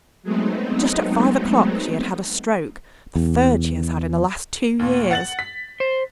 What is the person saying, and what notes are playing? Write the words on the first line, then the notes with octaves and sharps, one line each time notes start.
Just at five o'clock she had had a stroke, the third she has had in the last two years.
F#3 G#3 A3 B3 C4 D#4
E2
D#2 A#2
F#5 A6 F#7
B6
C5